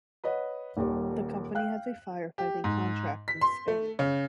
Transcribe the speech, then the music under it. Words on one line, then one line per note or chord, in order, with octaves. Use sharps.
The company has a firefighting contract in Spain.
B4 C#5 D#5 F#5
D#1 D#2 G3
F5 G5 F#6
G4
G#2
B6
C6
A3
C#3